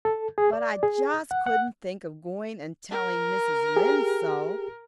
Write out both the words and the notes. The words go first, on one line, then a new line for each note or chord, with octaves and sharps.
But I just couldn't think of going and telling Mrs. Lynde so.
A4
G#4
D5
G#4
F#5
F#5
A#4
G4 G#4